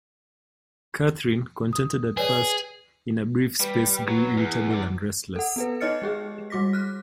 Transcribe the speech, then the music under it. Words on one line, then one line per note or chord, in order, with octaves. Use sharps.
Catherine, contented at first, in a brief space grew irritable and restless.
D#6
G#4 B4 C#5 D5
G3 B4
F#3
E2
E2 D5
A4 F#5
B3 A4 B4
D#4 C#5 D#5 F6 A6 C#7
G#3 G4 G#4
G3 F#4 D6 A#6 B6
F6 F#6